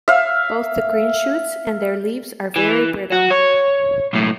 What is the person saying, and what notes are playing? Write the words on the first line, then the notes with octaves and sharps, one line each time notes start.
Both the green shoots and their leaves are very brittle.
E5 F5
E3
F#4
C#5
B1 A2